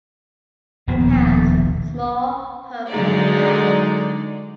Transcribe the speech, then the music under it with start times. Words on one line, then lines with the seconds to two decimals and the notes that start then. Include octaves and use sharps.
It has small purple flowers.
0.88 D#1 A#1 B2 B3
2.90 D3 F#3 G#3 D#4 D5